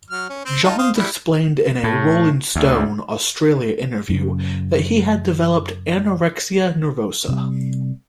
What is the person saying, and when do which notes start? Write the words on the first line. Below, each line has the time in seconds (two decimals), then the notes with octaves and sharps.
Johns explained in a "Rolling Stone" Australia interview that he had developed anorexia nervosa.
0.10 F#3 F6
0.29 C#4
0.45 C4 C5
0.64 D#4 F4 A5
0.78 C5 F5 D#6
0.96 G3 E4
1.84 A2
2.55 D2
4.09 F#2 C#3
7.28 C3 G3